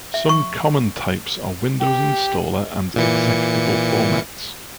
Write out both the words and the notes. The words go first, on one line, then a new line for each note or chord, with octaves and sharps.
Some common types are Windows Installer and executable formats.
E5
C#6
G4
A#2 E3 C#7